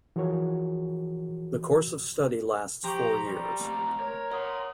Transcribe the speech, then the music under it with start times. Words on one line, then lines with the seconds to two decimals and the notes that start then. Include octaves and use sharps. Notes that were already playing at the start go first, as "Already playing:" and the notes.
The course of study lasts four years.
0.16 E3 F3 F#4 G#4 A#4 C#5
2.84 F3 G4 A#5 C6 C#6
3.27 G3
3.61 A3 C4
4.00 A#4 C#5
4.32 C#5 F#5 A#5 C6 D#6